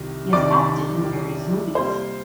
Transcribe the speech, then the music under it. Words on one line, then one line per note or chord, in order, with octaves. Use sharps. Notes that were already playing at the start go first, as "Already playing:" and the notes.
He has acted in various movies.
Already playing: C2 C3 D#3
C2 C3 D#3 D5 D6
C2 C3 D#3
C3 G3 A#3 C5 C6